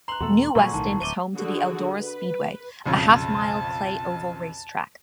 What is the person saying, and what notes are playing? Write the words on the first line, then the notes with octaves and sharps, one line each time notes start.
New Weston is home to the Eldora Speedway, a half-mile clay oval race track.
A#5 C6 F#6 F#7
E2 B2 A3 F#4 A4 C6
G#1 A#2 D3 F#3 G#3 G#5 C#6
B1 A2 D#3 A5
D1 F#2 A5 D6 D#7 G7
D3 F#4 G#4
B4
B1 F2 C#3 A5